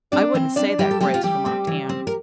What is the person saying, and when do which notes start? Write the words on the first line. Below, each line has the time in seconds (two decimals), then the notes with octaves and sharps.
"I wouldn't say that, Grace," remarked Anne.
0.12 G3 C4 D4 D5
0.34 E3 C4 C5
0.56 G3 C4 D4 D5
0.78 E3 G3 G4
0.91 A4
1.01 G3 A3 C4 G4
1.14 F4
1.23 E3 G3 G4
1.45 A3 C4
1.67 E3
1.89 G3 C4
2.07 A#4